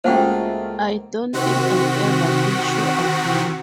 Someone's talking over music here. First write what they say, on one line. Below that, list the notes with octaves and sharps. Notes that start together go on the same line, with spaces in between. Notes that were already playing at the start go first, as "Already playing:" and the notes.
I don't think I'll ever feel sure again.
C#2 A3 A#3 F4 F#4 C5 F#5 G5
C3 D#3 C4 F#4 F#5 B6